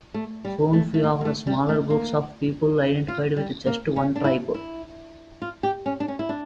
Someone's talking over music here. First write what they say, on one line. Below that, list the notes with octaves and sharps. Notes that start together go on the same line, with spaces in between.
Soon few of the smaller groups of people identified with just one tribe.
A3
G3
A3
A3
A#3
A#3
A3
G3
A3
A#3
F4
G3
A#3
C#4
D4
E4
E4
F4
G4
C#4
D4
C#4
E4
D4